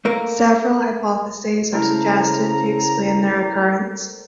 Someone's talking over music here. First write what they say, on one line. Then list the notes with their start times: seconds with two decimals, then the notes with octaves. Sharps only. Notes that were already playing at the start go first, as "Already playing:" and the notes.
Several hypotheses are suggested to explain their occurrence.
0.05 A3 A#3 A#4
1.72 C#3 A3 E4 A4 A#4 C5 A#5